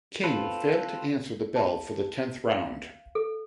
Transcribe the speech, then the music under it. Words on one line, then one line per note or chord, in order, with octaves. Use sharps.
King failed to answer the bell for the tenth round.
C4 F4 A4 B4
A5
F5
A4